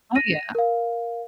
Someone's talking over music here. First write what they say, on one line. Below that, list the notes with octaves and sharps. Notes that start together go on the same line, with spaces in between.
Oh, yeah.
A#6 D#7
A#4 F5